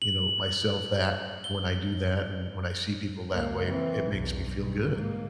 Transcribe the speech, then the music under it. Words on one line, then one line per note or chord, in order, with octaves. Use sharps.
you know, myself that when I do that and when I see people that way, it makes me feel good.
F#7
G7
C#2 A#3
E3 C4
B1 E2
G2 B2
G#2 A#3